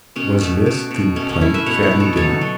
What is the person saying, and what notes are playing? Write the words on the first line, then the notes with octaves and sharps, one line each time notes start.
Was this the plain family dinner?
B2 C#4
A3
B2
B2
A3 C#4
C#4
A3 E4
B4 E5
B2 C#5 F#5
C#5 F#5
B2
A4 C#5
F#3 A4 C#5
F#3